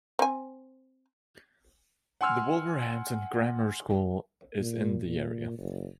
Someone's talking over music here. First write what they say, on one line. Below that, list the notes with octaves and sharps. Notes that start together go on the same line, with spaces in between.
The Wolverhampton Grammar School is in the area.
C4 G#5
F#5 G#5 C6 E6 F6
A#2
A#2
F#1